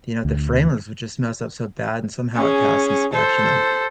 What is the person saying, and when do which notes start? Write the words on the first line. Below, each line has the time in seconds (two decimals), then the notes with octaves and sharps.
you know, the framers would just mess up so bad and somehow it passed inspection, and
0.25 D2
2.35 C#4 G#4
3.13 A4 C5